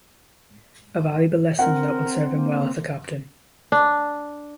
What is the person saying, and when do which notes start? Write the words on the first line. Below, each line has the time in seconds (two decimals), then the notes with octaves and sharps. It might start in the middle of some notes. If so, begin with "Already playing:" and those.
A valuable lesson that would serve him well as a captain.
1.59 C4 A#4 F#5
2.29 A#3
3.72 D4